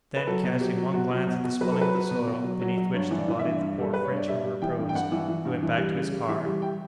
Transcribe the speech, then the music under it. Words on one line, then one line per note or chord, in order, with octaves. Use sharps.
Then, casting one glance at the swelling of the soil, beneath which the body of the poor Frenchman reposed, he went back to his car.
B4
F#3 A4
B2
F#3 G4
F#3
B2 F#4
F#3
B2
B2
F#3 B4
A4
F#3 B4
F#3
B2
B2
F#3
F#3
F#3
G2 C#5
E3
D5
E3
E5
G2
G2
G3 A4
G3 B4
C#5
G2 D5
G3 E5
G3
E3 G5
G2
G5
G2 F#5
E3
E3
G2
E3
G3
C#3
G3
E3 E5
G3
G5